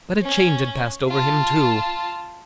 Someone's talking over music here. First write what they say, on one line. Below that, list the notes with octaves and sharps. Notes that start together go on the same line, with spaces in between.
But a change had passed over him, too.
C#4
F4 A5